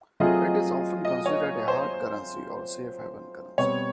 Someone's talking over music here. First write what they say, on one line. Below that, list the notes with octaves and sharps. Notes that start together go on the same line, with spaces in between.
It is often considered a hard currency or safe-haven currency.
F#3 A3 C4 F4 G#4 D#5
D#5
C#5
C5
B2 G3 C4 C#5